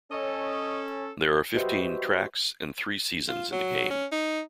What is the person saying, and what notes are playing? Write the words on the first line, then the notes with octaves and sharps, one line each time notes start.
There are fifteen tracks and three seasons in the game.
C#4 A4 C#5 D#5
F#4 G4 B4 C5 D#5 E5
F4
F#3
C#4
D#4